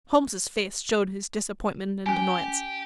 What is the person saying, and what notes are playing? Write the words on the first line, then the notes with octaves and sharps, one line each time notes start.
Holmes's face showed his disappointment and annoyance.
C#4 G4 G#5